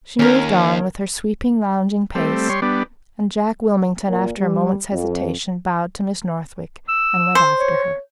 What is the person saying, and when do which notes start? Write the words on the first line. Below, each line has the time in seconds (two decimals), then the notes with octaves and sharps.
She moved on, with her sweeping, lounging pace, and Jack Wilmington, after a moment's hesitation, bowed to Miss Northwick and went after her.
0.19 D#2 C#4 A#4
2.15 G3 A3 C4
2.49 G3 C#5 C6
2.62 G3 B3 D4
4.08 A#2
4.38 G3
4.91 F2
6.89 E6
7.35 C5
7.59 C#5